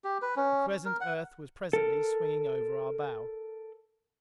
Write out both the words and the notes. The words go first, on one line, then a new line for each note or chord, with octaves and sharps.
The crescent Earth was presently swinging over our bow.
G4
B4
C#4
A#4
F#5
A4 A#4